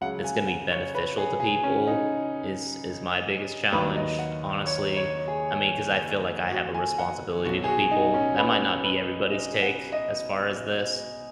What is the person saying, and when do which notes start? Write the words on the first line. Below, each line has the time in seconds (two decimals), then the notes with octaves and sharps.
that's gonna be beneficial to people is is my biggest challenge honestly, I mean, 'cause I feel like I have a responsibility to people. That might not be everybody's take as far as this,
0.01 C#2 C#3 F#3 F#5
0.24 G#5
0.47 F#5
0.71 C#5
0.95 B4
1.18 G#4
1.40 G#4
1.64 C#4
1.87 D#4
3.72 D#2 D#3 F#3 B4
3.96 D#5
4.19 F#5
4.66 C#5
4.97 C#5
5.28 G#4
6.51 F#4
6.74 G#5
6.98 F#5
7.44 B1 B2 F#3 F#4
7.64 G#4
7.68 F#4
7.91 D#4
8.14 C#4
8.38 B4
8.84 B4
9.31 D#5
9.62 F#5
9.92 D#5